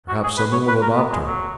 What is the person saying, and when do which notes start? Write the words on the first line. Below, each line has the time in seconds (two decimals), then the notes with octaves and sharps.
Perhaps some one will adopt her.
0.08 F#4
0.23 G#4
0.37 B4
0.52 C#5
0.68 B4
0.82 A#4
0.97 B3
1.12 G#3
1.26 F#3